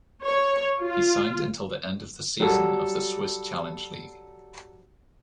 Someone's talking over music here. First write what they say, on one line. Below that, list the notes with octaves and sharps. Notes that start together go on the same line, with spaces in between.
He signed until the end of the season of the Swiss Challenge League.
C#5
F4
F#3 G3 F#4 A4